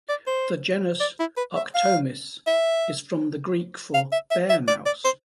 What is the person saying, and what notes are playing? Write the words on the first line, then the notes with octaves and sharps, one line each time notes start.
The genus, "Arctomys", is from the Greek for "bear-mouse".
D5
C5
D5
E4
B4
E5
F5
E5
F5
E5
E5
E5
D5
D5
C5